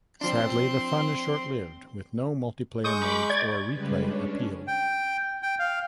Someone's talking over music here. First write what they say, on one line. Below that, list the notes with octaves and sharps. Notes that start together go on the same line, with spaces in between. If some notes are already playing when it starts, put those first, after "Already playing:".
Sadly, the fun is short-lived, with no multi-player modes or replay appeal.
F3 C4 D4 C6
G#3 C#6 D#6 G6
B5 D6
D5 G#6
C#3 G3 G#3 B4
C#4 D4
G5
G5
F5